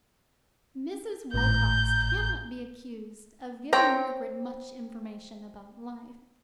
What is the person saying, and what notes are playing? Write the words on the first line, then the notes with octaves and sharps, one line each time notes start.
Mrs. Wilcox cannot be accused of giving Margaret much information about life.
G#1 A2 A#5 G6
C4 C#5 G5 A#5